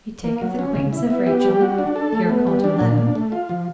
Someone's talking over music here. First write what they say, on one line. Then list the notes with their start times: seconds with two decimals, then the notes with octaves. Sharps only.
He taketh acquaintance of Rachel, here called Yoletta.
0.24 A#3
0.41 F#3
0.59 C#4
0.75 C#3
0.93 E4
1.10 B3
1.27 G4
1.44 G3
1.61 F#4
1.78 D4
1.96 A4
2.13 A3
2.30 B3
2.47 G3
2.64 D4
2.81 A#2
2.98 D4
3.15 A3
3.32 F4
3.49 F3